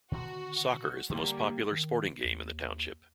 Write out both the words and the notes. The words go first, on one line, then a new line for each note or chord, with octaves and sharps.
Soccer is the most popular sporting game in the township.
B2 D3 D#3 F#4
D3 G3 A#3
D#3
D#2